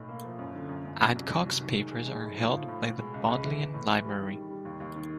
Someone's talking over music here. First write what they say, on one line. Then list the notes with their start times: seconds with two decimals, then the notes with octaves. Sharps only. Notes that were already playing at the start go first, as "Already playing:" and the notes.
Adcock's papers are held by the Bodleian Library.
Already playing: B1 A2
0.08 A#3
0.24 F3
0.39 F#2
0.55 D3
0.69 F#2
0.85 F#2
1.00 F#3
1.15 C2
1.31 C2
1.46 F#3
1.61 D#3
1.76 G#3
1.91 G#3
2.06 D#3
2.22 A2
2.37 F3
2.53 A2
2.68 A2
2.83 B2
2.98 G#3
3.14 C#2
3.28 C#2
3.44 E3
3.59 E3
3.74 A2
3.89 E3
4.04 G3
4.20 D#3
4.36 G3
4.50 G3
4.65 D#2
4.80 D#2
4.96 D#3